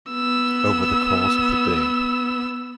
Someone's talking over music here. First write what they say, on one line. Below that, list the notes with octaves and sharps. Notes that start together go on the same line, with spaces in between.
Over the course of the day.
B3 E6